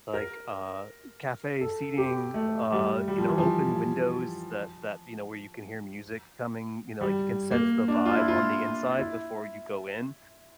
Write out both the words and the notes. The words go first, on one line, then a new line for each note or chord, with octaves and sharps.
like, uh, cafe seating, uh, you know, open windows that that, you know, where you can hear music coming you know, like, you can sense the vibe on the inside before you go in,
A#4
A4
G4
A3
G3
G3
F3
E3
F3
G3
A#3
D4
F4
E4
F4
E4